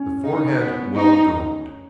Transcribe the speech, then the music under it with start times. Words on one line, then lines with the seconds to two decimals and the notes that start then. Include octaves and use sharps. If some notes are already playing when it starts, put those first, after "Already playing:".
The forehead well domed.
Already playing: C#4
0.24 D#4
0.60 B3
0.95 D#4